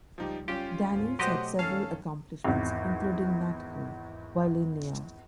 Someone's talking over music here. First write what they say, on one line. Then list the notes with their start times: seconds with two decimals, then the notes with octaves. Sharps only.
Daniels had several accompanists, including Nat Cole, while in New York.
0.18 C#2 F3 G3 D#4 G4
0.48 G3 C#4 F4 G4
0.90 D2 G#2
1.19 B2 F#3 A3 G4 C5 D#5 F#5 C6
1.59 F#2 D#3 C#4 A4 F5 A5
2.44 G#1 E2